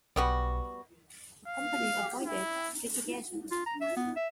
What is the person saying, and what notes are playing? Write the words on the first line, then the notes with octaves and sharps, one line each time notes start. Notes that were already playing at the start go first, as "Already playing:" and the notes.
The company avoided Litigation.
B1 G3 B3 F#4
F5
E4
F4
A#5
E5
B3
E5